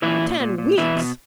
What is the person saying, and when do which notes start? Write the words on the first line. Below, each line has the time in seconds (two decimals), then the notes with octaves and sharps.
"Ten weeks!"
0.02 A#2 E3 E4
0.21 A#2
0.40 A#2
0.58 A#2
0.78 B2 E3 E4
0.96 B2